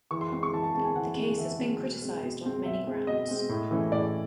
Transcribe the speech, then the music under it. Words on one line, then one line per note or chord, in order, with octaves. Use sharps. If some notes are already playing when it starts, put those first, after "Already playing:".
The case has been criticized on many grounds.
E3 C#6
C6
G#3 C4 C6
C#6
E3 A5
A5
G#3 C4 A5
G#5
E3 F#5
G#3 C4
E3 E5
G#3 C4
B2
G#3 C4
B2
G#3 C4
B2 E5
G#3 C4
B2 D#5
G#3 C4
A2
E3 A3 C#4
A2 D5